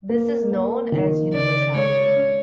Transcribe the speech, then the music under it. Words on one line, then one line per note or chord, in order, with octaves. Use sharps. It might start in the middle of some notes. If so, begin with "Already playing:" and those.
This is known as universality.
A#3
A#3
D#3
C#3 D5
G#3 C#5
C#4